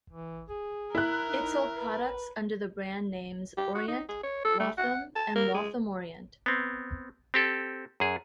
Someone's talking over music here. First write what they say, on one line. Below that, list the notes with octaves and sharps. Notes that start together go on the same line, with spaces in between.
It sold products under the brand names Orient, Waltham, and Waltham-Orient.
E3
G#4
E4 A#4 F#6
D#4
B4
G4
F#4
D#4
G#4
C#5
A4
A3
F#5
A5
A#4
G#3
B3 C4
C4 G4 A4
F#2 G#4